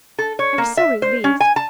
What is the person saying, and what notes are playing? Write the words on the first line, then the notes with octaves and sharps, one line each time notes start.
I was so relieved!
A4
C#5
A#3
E5
C5
C#4
G#5
A5